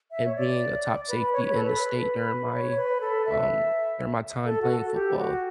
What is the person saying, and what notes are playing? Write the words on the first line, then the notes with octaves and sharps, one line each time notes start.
And being a top safety in the state during my, um during my time playing football,
E5
C#5
D5
B4
C#5
B4
A4
B4
C#5
C#5
B4
A4
E5
A4
F#4
A4
G4
F#4